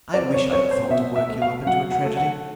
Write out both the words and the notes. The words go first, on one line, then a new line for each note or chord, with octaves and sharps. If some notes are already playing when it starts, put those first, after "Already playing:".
"I wish I had thought to work you up into a tragedy."
C4 D5
C#5
C4 C#5
C5
B2 E5
E5
A3
F5
F#3 F#5
F#5
A3
F#5